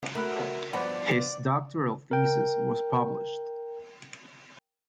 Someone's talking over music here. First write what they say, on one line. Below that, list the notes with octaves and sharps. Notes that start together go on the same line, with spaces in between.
His doctoral thesis was published.
A3 F#4 A#4 E5 B5 F#6
G2 F3 B3 C5 D5 F#5 B5
A#4 G5